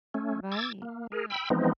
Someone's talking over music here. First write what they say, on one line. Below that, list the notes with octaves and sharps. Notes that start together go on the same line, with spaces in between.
Right, yeah,
A3 C#4
D6 E6 G#6 A6
A#3
G#4 A#4
G5 B5 E6
E3 F3 G#3 B3 C4 D#4